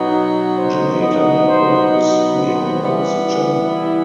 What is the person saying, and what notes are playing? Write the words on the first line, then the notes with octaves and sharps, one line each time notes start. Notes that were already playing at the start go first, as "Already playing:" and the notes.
Janata Network is the owner of the channel.
Already playing: B2 F#3 B3 D#4
C5
B2 F#3 B3 D#4 D#5
C5
D#5
C5
E3 G3 B3
E4